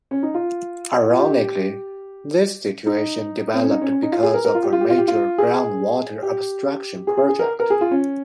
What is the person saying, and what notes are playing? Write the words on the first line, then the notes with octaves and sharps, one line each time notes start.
Ironically, this situation developed because of a major groundwater abstraction project.
C#4
D#4
F4
F4
G4
D#4
C4
C#4
D#4
C#4
C#4
D#4
F4
G#4
A#4
A#4
F4
G4
F4
G4
F4
G4
F4
G#4
G4
G#4
G#4
G#4
A#4
A#4
G#4
F4
C#4